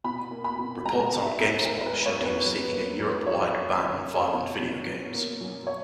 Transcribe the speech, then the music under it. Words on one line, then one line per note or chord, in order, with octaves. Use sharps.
Reports on "GameSpot" showed he was seeking a Europe-wide ban on violent videogames.
B2 B5
A#3
B5
B2
G#3 A#5
B2
E5
B2
E2 A#4
B4
G#3
C#5
E2
B4
F#2
A#3
F#2
F#2 C#5
A#3
F#2
A#3
B2
B2
F#2
A#3
F#2
C#5